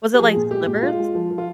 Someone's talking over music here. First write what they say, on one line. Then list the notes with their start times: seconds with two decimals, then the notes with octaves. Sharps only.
Was it, like, slivers?
0.14 G4
0.19 F3 G#4
0.36 A#2
0.51 G#3 G4
0.67 A#2
0.83 G#3 F4
1.00 G#3
1.15 F3
1.31 F3
1.38 F4